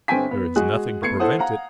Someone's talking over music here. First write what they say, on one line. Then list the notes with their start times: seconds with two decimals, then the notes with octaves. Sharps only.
"There is nothing to prevent it."
0.08 G1 G2 C4 G5 G#5 B6
0.31 B3
0.56 G#3 F#4 G#4 F#6
1.02 A3 B3 G#6 C7 C#7
1.19 E4 A4 C5 F#5 D#6
1.38 F5 F#5 A#5